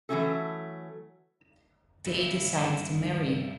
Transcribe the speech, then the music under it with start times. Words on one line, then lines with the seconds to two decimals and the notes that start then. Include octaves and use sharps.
They decide to marry.
0.09 E3 F#3 G3 A3 C#4 A4
2.06 G2 E4